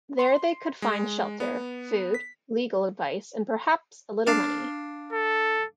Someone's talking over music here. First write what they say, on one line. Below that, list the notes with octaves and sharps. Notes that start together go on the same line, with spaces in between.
There they could find shelter, food, legal advice and perhaps a little money.
C6
G#3
B3
B6
D4 F5
A4